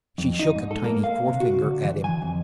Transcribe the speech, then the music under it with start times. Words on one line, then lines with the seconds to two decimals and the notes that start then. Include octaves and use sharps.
She shook a tiny forefinger at him.
0.18 F2
0.39 D#4
0.56 G#2
0.71 A4
0.84 A#3
1.04 F5
1.29 C3
1.40 F#4
1.62 D3
1.84 E3
2.04 G#5
2.22 F2